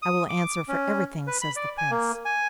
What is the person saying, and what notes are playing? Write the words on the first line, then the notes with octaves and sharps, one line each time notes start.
I will answer for everything,' says the Prince.
D#6
D6
C#4
B4
B5
D5
G#5
A#3
G#5